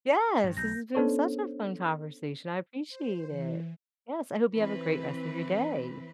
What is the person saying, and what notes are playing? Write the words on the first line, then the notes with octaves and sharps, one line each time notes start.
Yes! This has been such a fun conversation, I appreciate it. Yes, I hope you have a great rest of your day.
G2
B1 G6 A#6
B3 C#4 D4 A4 C5 C#5
C5
E3
E3 C4 B4